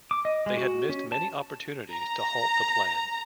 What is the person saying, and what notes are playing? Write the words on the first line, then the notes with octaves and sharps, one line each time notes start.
They had missed many opportunities to halt the plan.
D6
D#5
G#3
F#4
C#4
A5
A#5